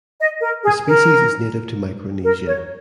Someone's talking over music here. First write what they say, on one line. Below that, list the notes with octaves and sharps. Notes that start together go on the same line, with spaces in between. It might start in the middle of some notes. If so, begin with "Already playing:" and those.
The species is native to Micronesia.
D#5
A#4
G#4
A#4
A#4
C#5